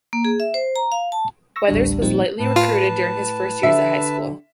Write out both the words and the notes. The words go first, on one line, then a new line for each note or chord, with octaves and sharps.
Weathers was lightly recruited during his first years at high school.
A#3
G#4
E5
C5
A#5
F5
A5
C#6 E6 A#6
A1 D2 G3 D4
A#2 F3 G3 C4 D#4
A2 B4 A5
F4
D3 D4 G4 E5